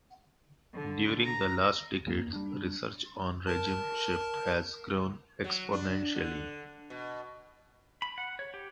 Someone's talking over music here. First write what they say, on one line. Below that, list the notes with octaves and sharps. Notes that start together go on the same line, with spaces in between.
During the last decades, research on regime shift has grown exponentially.
D3
A#5
E2 G2 A#3
G3 D4
A#4 A5
F#3
D4
D3
B2
B5
F#5
C#5
G4